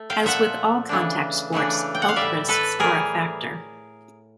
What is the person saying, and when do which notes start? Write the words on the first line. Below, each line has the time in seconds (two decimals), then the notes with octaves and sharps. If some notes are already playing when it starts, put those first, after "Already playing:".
As with all contact sports, health risks are a factor.
Already playing: A3
0.10 F5 G5
0.23 A#2 F3 A3 E5 F#5
0.89 C#3 E3 A3 D4
1.53 C#3 E3 A3 D4
1.95 G5
2.02 F#5
2.09 F5
2.16 A2 E3 G3 D5 E5
2.49 A4 B4
2.79 A2 E3 G3 G#4 A#4